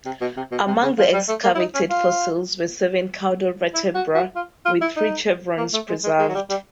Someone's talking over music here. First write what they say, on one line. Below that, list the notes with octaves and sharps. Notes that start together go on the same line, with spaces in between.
Among the excavated fossils were seven caudal vertebrae with three chevrons preserved.
C3
B2
C3
B2
C3
C#3
F3
G3
A3
A#3
E4
D#4
C#4
F4
E4
F#4
F#4
F4
F4
E4
D#4
A#3
A3
G#3
G#3
G#3
F#3
G3
G3